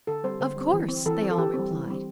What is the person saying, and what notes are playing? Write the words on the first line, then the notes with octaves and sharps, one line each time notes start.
"Of course," they all replied.
D3 A4
G3 C4 C5
D3 C5
G3 C4
E3
C4
E3 A4
C4
A4
E3 G4
C4
G3
E3
G3 C4